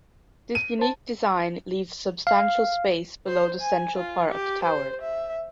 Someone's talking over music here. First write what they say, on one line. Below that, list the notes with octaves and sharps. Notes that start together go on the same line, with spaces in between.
This unique design leaves a substantial space below the central part of the tower.
D#7
C5 A5
F5
C5
G#5
F4
G4
C5
E5